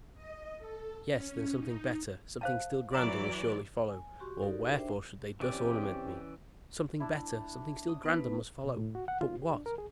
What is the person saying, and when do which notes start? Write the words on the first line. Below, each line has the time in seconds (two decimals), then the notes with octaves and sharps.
Yes; then something better, something still grander, will surely follow, or wherefore should they thus ornament me? Something better, something still grander must follow--but what?
0.14 D#5
0.59 A4
1.08 C#4
1.57 D#4
2.41 C5 F5 A5
2.94 E3 F#3 D5 A#5
3.88 G#5
4.20 F#4 G4 C6 C#6
4.42 D#4 F#4 G4 A4 A#4 D5
4.77 D4 C5 E5 G5
5.40 E3 C4 C#4 G4 D5
7.00 D4 E4
7.88 D#6
8.03 B3 D#4 B4
8.64 B2
8.76 A2
8.95 F#4
9.08 F#5
9.21 F4
9.42 G4
9.54 D4
9.66 A#4
9.78 G#4